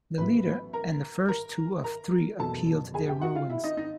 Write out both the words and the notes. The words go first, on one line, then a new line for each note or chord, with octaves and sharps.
The leader and the first two of the three appealed their rulings.
A1 A2 F#3 B3 B4 B5
A#4 A#5
A#4 A#5
A#4 A#5
F#1 E2 B2 F#3 B3 A4 A5
G#4 G#5
G4 G5
F#4 F#5
F4 F5
E4 E5
D#4 D#5
D#4 D#5